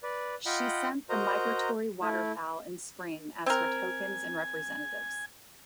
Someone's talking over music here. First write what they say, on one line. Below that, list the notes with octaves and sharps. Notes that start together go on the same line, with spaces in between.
She sent the migratory waterfowl in spring as her tokens and representatives.
B4 D5
F4 D#5 F#5 G5 B5
F#4 A#4 C5 D#5 A#5
A3 E4
C4 A#4 G#5